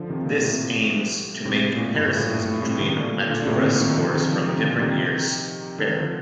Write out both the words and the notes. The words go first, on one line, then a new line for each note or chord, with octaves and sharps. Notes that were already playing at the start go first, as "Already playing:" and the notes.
This aims to make comparisons between Matura scores from different years fairer.
Already playing: D3 F3
C3 D#3
A#2 D3
A2 C3
A2 C3
A#2
A2
G2
A2
A#2
A2
G2
A2
A2 C3
C3 D#3
A#2 D3
A#2 D3
D3
A2 C3
A#2 D3
C3 D#3
D3 F3
C3 D#3
D3 F3
C3 D#3
A#2 D3
C3 D#3
D3
D#3
D3 F3